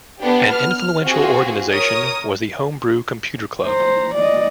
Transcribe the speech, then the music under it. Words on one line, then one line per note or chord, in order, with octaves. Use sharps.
An influential organization was the Homebrew Computer Club.
B3 D4 G4
F6
C4 F4 F#4 G#4
A#4 C#5 D#6
C5 A#5
D5 D#5